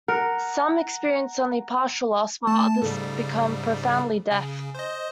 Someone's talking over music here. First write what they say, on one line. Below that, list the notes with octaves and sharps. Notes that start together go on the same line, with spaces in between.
Some experience only partial loss, while others become profoundly deaf.
A#4 F#5 A#5
A3 A5
G#2 C#3 G3 A4
C#3 G#5
C5 D#5